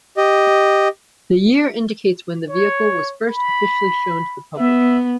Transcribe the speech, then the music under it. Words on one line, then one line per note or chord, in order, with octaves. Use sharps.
The year indicates when the vehicle was first officially shown to the public.
G4 D#5
C#5
B5
B3 E5